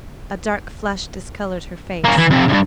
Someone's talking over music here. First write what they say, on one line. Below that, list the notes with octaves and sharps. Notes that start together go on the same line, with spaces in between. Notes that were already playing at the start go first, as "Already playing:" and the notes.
A dark flush discolored her face.
A#3 C#4
E3
F2 C3
C#2 G2